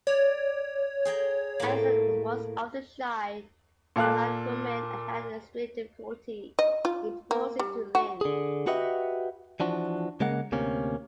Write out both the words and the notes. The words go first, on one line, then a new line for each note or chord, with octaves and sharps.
Andersen was often shy around women and had extreme difficulty in proposing to Lind.
C#5 D5
G#4 G5 A#5
A2 A#3
A#2 A4 F5 D6 F#6
D#5
F4
A#3
G3
F#4
D3 G#4
F#4 G4 B4 D#5 E5 F#5
E3 F3 D4 F#4
C#3 G#3 A#3 F#5
D2 C3 A#3 C#4